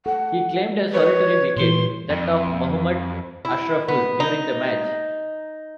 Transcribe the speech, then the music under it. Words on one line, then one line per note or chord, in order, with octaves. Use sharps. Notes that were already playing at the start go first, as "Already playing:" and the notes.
He claimed a solitary wicket, that of Mohammad Ashraful during the match.
A4 F#5
B4 C#5
A#2 E3 C6
F2
E4
B3
D#4